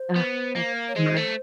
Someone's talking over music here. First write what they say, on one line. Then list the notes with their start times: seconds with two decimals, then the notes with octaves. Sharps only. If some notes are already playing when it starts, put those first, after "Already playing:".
Ah, that's hard.
Already playing: C5
0.16 B3
0.56 A#3
0.88 C#5
0.96 G#3 C5
1.16 A3